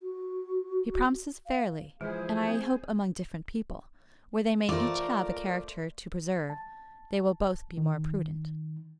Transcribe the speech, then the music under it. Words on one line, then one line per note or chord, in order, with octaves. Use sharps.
He promises fairly; and I hope among different people, where they may each have a character to preserve, they will both be more prudent.
F#4
F5
E3 F3 G#3 E4 G#4 C5
C4
A3 F4 A#4 C5 D5 D6
A5
D#3